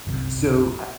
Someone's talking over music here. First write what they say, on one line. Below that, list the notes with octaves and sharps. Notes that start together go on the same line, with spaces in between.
so I
G1 C2 F#2 C3